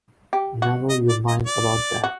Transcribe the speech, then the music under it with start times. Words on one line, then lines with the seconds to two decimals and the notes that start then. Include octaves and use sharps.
Never you mind about that!
0.33 G4
0.62 F#4
0.90 D#5
1.09 D5
1.28 D#5
1.47 D5
2.04 F#4